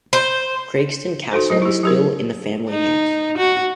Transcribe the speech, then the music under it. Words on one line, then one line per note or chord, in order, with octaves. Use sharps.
Craigston Castle is still in the family's hands.
C5
D#4 F#4 A4 C5
F#3 C5 D#5
E4 G4
F#3 G4 A#4
D#4
F#4